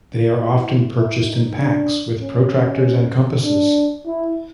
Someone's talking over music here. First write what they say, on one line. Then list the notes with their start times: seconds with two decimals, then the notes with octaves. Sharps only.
They are often purchased in packs with protractors and compasses.
0.34 E4
0.96 E4
1.27 D#4
1.57 D4
2.21 C#4
3.44 D4
4.06 E4